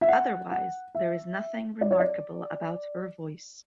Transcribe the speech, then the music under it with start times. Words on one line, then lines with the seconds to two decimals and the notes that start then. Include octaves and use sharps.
Otherwise there is nothing remarkable about her voice’.
0.01 E5
0.08 F#5
0.51 F#5
0.95 E5
1.81 D5
1.91 C#5
2.00 D5